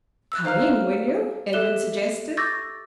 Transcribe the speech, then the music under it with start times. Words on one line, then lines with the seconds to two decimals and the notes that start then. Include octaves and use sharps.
"Come in, will you?" Edwin suggested.
0.32 E6 F#6
0.45 C5 F5 A#5 F6 F#6
1.53 G4 A4 E5 F#6 E7 G7
2.37 C#6 D6 E6 G6 A6 A#6